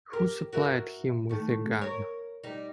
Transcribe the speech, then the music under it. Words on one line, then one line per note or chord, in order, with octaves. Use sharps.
Who supplied him with the gun?
G4 A#4
F#4 A#4 E5
D#3 A3
A#4 C#5
G3 D#4